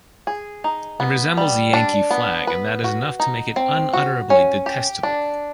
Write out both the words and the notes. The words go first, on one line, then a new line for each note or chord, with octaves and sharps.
It resembles the Yankee flag and that is enough to make it unutterably detestable.
G#4
D#4
B3
G3
D4
B3
B4
F#4
D#4
C4
F#4
C#4
G4
D4